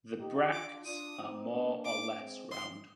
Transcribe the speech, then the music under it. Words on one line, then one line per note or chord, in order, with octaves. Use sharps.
The bracts are more or less round.
D#4 G4
D4 F4 D6
D4 F4 D#6
C4 D#4
A#3 D4
D6
G#3 C4
C6